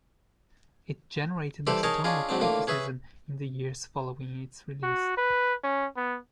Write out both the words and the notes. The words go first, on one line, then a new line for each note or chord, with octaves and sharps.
It "generated a storm of criticism in the years following its release".
E3 G3 G4 A4 C5 D5
D#4 G#4 A#4 C#5 D#5 A5
C#4 D4 F4 G#4 D#5
G#2 F#3 C4 D4
A2 A#3 D4 F4
C#4 G#4 B4 E5
F#4
B4
C#4
B3